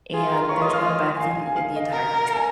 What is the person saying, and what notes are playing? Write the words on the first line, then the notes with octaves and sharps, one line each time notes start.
and there's not a bad view in the entire country.
F4 G#4 G#5
A#4 A#5
F4 C#5 C#6
D#5 D#6
F5 F6
D#5 D#6
G#5
F5
G#5
F5
D#5
F5
A#4
A#5
G#5